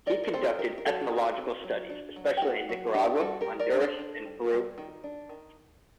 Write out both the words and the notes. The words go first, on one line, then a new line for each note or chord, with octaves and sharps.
He conducted ethnological studies, especially in Nicaragua, Honduras and Peru.
D#3 A#4 D5
A#4
C4 A4 C5
D#3 G4 A#4
A#4
F#3 F#4 A4
D#3
C4
F#3
D4
F#3
G4
A#3 F#4
F#3 F#4
D4 D#4 G4
G3 F#4 A4
G4 A#4
G3
A#4 D5
D4
A4 C5
D4
G3
G3
D#3
D4
D#3